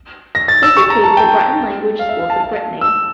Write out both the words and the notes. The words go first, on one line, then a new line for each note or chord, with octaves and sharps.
This includes the Breton language schools of Brittany.
A#6
A6
E6
C#6
A#5
A5
G5
F5
E5
F5
A5
A5
E6